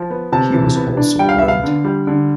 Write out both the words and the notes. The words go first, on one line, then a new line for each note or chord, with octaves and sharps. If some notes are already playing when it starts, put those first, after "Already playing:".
He was also blind.
Already playing: F3
B3
C3 A5
E3
B3
D4
G3 G5
F5
B3 E5
F5
D3
G3
D3